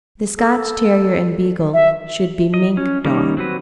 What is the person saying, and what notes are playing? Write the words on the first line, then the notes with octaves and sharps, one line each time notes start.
The Scotch Terrier and Beagle should be mink dog.
A4
E5
D#5
C#4
D#3 G3 A#3 C#4 D#4
F#3 C4 F#4 B4